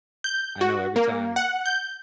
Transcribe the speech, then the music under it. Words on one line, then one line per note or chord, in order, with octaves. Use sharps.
I know every time
G6
F#4
A#3
F#5
G6